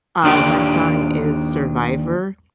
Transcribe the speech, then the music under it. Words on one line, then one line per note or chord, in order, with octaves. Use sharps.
Uh, my song is Survivor,
D#2 D4 F4 G4